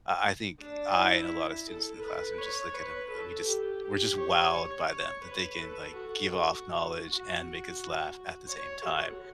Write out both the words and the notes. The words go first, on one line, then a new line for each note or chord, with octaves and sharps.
I I think, I and a lot of students in the classroom, just look at 'em, uh, we just we're just wowed by them, that they can, like, give off knowledge and make us laugh at the same time.
D4
E4
A4
B4
C#5
B4
A4
G4
G4
C#5
C#5
C#5
B4
A4
F#4
F#4
C#5
F#4